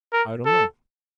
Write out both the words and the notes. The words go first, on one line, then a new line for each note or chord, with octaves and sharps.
"I don't know."
A#4
A4